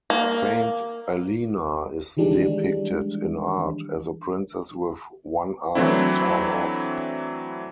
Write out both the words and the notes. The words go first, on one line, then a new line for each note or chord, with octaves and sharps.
Saint Alena is depicted in art as a princess with one arm torn off.
A#3
D#3 E3 G3 G#3 D4
E3 F#3 A3 C4 D4 E4